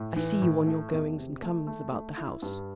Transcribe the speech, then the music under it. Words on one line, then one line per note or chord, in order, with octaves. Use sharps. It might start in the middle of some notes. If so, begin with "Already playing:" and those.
I see you on your goings and comings about the house.
Already playing: A2
E3
A2
A3
E2
C3
A3
A3
A3
E4
G2